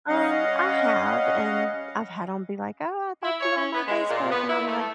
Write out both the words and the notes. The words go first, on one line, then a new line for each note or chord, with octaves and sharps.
Um, I have, and I've had 'em be like, "Oh, I thought you were on my Facebook," and I'll be like,
G3 C#4 D#5 F5 F#5
E4
C#5
C#4
B3
G#3
A#2
B3
E4
A3